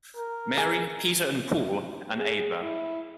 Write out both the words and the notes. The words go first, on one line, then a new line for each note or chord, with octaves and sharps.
Mary, Peter and Paul, and Eadburh.
A#4
G#4
G#4
E4